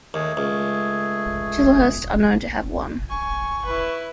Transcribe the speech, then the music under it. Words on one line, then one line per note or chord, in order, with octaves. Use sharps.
Chislehurst are known to have won.
D#2 A3 G#4
C#2
G#5 C#6
E4 B4